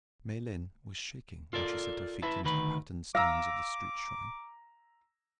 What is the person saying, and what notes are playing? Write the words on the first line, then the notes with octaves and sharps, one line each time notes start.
Miellyn was shaking when she set her feet into the patterned stones of the street-shrine.
F4 A4 A#4 D5
E4 B4 E5 A5
D2 D#3 B4 B5
F5 A#5 D6 E6 A#6